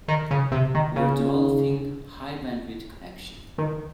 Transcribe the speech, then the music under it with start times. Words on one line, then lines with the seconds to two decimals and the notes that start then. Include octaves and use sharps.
We're developing a high bandwidth connection.
0.08 D#3
0.31 C#3
0.52 C3
0.75 D#3
0.96 C#3
3.58 D#3